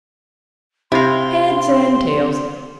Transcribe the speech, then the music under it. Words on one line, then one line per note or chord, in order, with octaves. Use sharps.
Heads and tails.
C3 E4 F5 C6